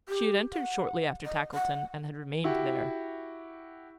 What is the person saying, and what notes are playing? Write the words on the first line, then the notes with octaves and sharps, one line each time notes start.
She had entered shortly after Tackleton, and had remained there.
G4
F#5
D#5
F#5
E4 F#4 G4